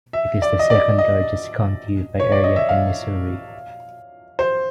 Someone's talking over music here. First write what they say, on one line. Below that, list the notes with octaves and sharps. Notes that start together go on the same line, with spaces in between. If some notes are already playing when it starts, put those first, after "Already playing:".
It is the second-largest county by area in Missouri.
E5
D5
D#5
D5
D#5
C#5
D5
D#5
E5
F5
C5